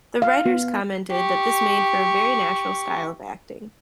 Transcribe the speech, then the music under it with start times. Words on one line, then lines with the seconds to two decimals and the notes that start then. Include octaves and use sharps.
The writers commented that this made for a very natural style of acting.
0.22 F5
0.46 B3
1.11 G4 C#6